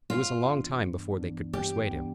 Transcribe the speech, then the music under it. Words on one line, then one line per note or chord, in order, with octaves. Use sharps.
It was a long time before they could persuade him.
G2 F4
E3 B3 D4
G2
E3 B3 D4
G2 G4
E3 B3 D4